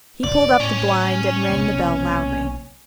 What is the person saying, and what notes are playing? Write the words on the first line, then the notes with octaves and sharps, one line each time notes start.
He pulled up the blind and rang the bell loudly.
F#1 C3 D5
A2 C#4
B1 C3 A#3